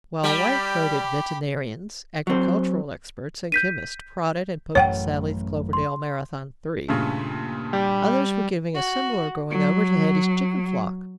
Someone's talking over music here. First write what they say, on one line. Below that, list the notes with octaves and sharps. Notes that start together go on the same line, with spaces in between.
While white-coated veterinarians, agricultural experts and chemists prodded and poked Sally's Cloverdale Marathon III, others were giving a similar going-over to Hetty's chicken flock.
G3 G4 B5
F#3 C4
G6 B6 D#7
A1 F#2 A3 C#5 F#5 G5
C6
G2 A#2 C#3 A3
G3 G4
F#4
F#3